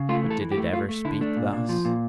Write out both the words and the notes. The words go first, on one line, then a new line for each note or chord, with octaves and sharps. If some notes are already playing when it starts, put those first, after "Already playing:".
But did it ever speak thus?
Already playing: C#3
A3 F4
E3
A4
E3
G4
A3
A3 F4
A3
D3 E4
A3 D4
A#2
A#2
F3
A#2